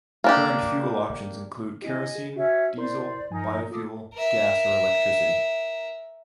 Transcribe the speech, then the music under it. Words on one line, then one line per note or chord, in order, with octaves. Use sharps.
Current fuel options include kerosene, diesel, biofuel, gas or electricity.
A#3 D4 G4
C4 E4 G4 D#5 G#5
G#4
C#4 F#4 C#5 E5
E4 A#4 C5 D5 C6
G2 F3 D#4 A#4 G#5
A3 F4 A4 D6 D#6
A#4 E5